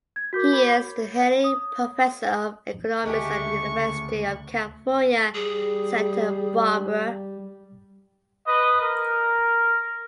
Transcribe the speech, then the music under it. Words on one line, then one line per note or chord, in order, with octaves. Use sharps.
He is the Henley Professor of Economics at the University of California, Santa Barbara.
G#6
F#4 A#4 D6 G6 B6
C#5 B5
D#6
D2 C#3 G#3 A3 G4 C#6
G3 G#4
B4 D#5
A#4